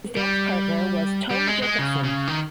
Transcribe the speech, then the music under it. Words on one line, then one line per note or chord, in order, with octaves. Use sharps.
His dance partner was Tone Jacobsen.
G3
G3
G#3
G#3
C#3
C#3
D#3